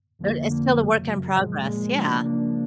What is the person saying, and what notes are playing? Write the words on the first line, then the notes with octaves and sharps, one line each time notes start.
But it's still a work in progress, yeah,
F2 D3 F3 A#3
F2 D3 F3 A#3
F#2 C#3 F#3
F#2 C#3 F#3
A#2 F3 G#3
A#2 F3 G#3
C#3 F3 A#3 D4
C#3 F3 A#3 D4